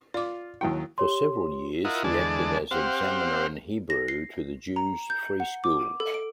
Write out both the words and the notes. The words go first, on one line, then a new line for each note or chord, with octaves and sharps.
For several years, he acted as examiner in Hebrew to the Jews' Free School.
F4 D5 D6
D#2 F#3 E4 G5
G4 C#5 C6
E4 F4 A#4 D#5 F#5
E2 D3 G#3 D5 A5
C4 G4 C5 F5 F#5
A#6
C7
A#5
G6
F#5
D6
A4
D7